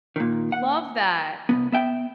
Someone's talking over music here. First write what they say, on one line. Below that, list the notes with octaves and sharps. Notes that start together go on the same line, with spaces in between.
Love that.
A#2 D#3
F#5
C2 A#2 B3
B3 E5 G5